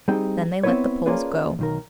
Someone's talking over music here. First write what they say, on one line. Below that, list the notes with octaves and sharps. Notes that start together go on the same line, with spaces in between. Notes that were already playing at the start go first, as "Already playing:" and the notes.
Then they let the Poles go.
G3 C4 D#4 G#4 G5
B3 C4 D#4 E4 B4 C#5
A#3 C#4 D4 F4 G#4 B4
B1 D#3 A#4